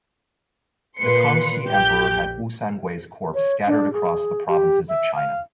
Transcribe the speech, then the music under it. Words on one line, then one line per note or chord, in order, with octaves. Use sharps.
The Kangxi Emperor had Wu Sangui's corpse scattered across the provinces of China.
A#2 B4 C6 C#7
A#1 G4 G6
C#5
D4
G#4
G4
E5
F5